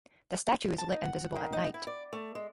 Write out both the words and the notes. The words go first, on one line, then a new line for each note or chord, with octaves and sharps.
The statue is lit and visible at night.
A5
D#4
F#5
D#3
D#4
E4
D5
A3
G#3